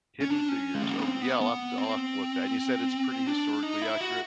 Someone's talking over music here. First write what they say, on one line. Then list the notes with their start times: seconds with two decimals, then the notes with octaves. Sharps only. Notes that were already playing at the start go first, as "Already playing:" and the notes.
Hidden Figures, oka yeah, I'll have t I'll have to look that and you said it's, pretty, historically accurate?
0.21 C#4
0.30 D4
0.49 C#4
0.75 G#3
0.82 A3
0.89 A#3
0.96 B3
1.04 C4
1.22 B3
1.41 B3
1.78 C4
3.27 D4
3.63 D#4
3.82 E4
4.01 F#4